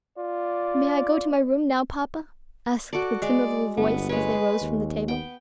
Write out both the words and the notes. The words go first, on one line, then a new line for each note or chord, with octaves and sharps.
"May I go to my room now, papa?" asked the timid little voice as they rose from the table.
F4 D5
F#4 A4 D5
G#3 D5
G1 B3
G#3 B4 C#5
D#2
B3 G5